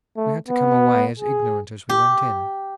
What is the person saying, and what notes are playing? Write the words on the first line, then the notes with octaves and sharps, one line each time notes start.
We had to come away as ignorant as we went in.
A3
B3
G#4
G4